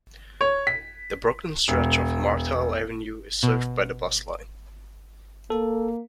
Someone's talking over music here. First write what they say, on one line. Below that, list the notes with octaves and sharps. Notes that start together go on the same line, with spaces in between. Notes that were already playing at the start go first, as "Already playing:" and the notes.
The Brooklyn stretch of Myrtle Avenue is served by the bus line.
C#5
B6
E1
B2
A#3 A4